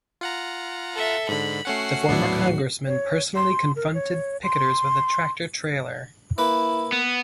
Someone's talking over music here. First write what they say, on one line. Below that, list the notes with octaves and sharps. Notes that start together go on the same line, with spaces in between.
The former congressman personally confronted picketers with a tractor trailer.
F4 F#5 A#5
A4 E5
G#2 D3 B5
A3 C#4 F#4 F#5 C7
D#1 A2 F#3 B3 D4 E4
C#5
C6
A#4
C#5
C6
A#3 E4 B4
B3